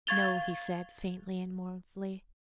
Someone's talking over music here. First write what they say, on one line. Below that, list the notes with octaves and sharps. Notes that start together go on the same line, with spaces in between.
"No," he said, faintly and mournfully.
F5 C#6 G#6 A6 F7 G7